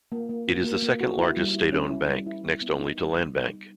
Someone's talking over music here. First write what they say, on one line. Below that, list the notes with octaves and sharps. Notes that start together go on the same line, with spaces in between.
It is the second-largest state-owned bank, next only to Landbank.
A#3
A#3
F#4
A#3
A#3
F#4
E4
G3
E4
C#4
E4
G3
E4
G3
B3
D#4
G3
G3
G3
D#4